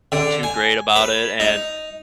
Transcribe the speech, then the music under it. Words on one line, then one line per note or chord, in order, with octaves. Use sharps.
too great about it, and
D3
G#5
B4
D#4